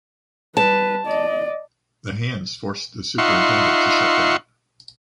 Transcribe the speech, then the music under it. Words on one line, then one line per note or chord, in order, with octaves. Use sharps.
The hands forced the superintendent to shut down.
G3 B4 A5
D5 D#5
D#4 F4 E5 F#5 C6 C#6